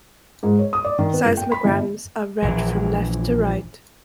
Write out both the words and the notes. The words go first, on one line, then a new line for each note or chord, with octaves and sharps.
Seismograms are read from left to right.
G#2
C#5
D#6
D5
D#3
B3
F#1
G5
B5
G1
A#1 E3